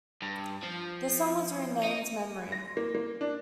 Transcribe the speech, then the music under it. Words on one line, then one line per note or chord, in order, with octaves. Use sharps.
The song was renamed "Memory".
G2
F3
D#4
A#6
A#3
A#3
D4